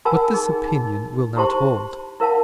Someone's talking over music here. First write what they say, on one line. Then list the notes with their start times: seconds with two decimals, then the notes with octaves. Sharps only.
But this opinion will not hold.
0.05 F4 A#4 F#5 G#5 A5 E6
0.34 D#4 G#4
0.66 D#4
1.36 E4 F4 G4 C5 A5 C6
2.20 E4 A#4 F5 F#5 A5